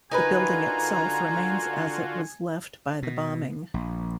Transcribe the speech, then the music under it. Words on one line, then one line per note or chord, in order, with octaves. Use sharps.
The building itself remains as it was left by the bombing.
D3 D#4 F4 F#4 A#4 B4 G#5 A#5
B2
A#1